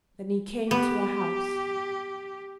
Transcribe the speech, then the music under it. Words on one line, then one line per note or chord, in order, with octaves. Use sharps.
Then he came to a house.
B3 G4